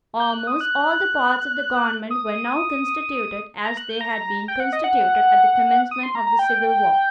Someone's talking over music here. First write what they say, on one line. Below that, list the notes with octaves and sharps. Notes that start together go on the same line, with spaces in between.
Almost all the parts of the government were now constituted as they had been constituted at the commencement of the civil war.
G6
F#6
D#6
F#6
D#6
A#5
F#6
G6
A#5
G5
F#5
D#5
F#5
D#6
C6
A#5
A#5
G5